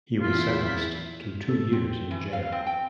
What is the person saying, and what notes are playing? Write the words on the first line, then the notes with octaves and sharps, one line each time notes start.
He was sentenced to two years in jail.
E2 E4 F4 B6
A4
C4
E3
F5
C4
G5